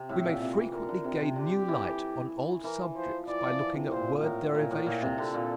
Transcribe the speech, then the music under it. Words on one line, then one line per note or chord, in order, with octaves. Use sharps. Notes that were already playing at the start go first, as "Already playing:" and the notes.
We may frequently gain new light on old subjects by looking at word-derivations.
Already playing: C3
A2 E5
A#2
C3
E3
D3 A#4
D3
C3
C3
D3 G4
E3
E3 A#4
F3 C5
E3 D5
F3
E3
C3
A#2 C5
A2 A#4
A#2 A#4
A2
A#2
C3
D3 A4
A#2